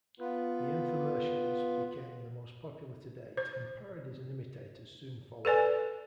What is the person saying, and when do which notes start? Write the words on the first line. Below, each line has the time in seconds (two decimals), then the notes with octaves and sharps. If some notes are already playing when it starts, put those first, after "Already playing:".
The infomercials became the most popular to date, and parodies and imitators soon followed.
0.20 B3 F4 B4
3.37 C5
5.45 A4 B4 D5 G#5